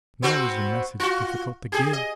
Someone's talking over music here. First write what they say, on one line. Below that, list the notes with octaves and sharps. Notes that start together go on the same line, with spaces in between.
Nor was the message difficult to give.
B3 C4 F#4
F4 F#4
G4 G#4
D#5